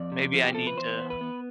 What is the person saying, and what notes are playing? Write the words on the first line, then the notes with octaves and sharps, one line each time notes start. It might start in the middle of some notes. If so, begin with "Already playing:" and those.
Maybe I need to
Already playing: F2 D5
C3
F3
G4
C3 A4
B4
E2 C5
B3
B4
B3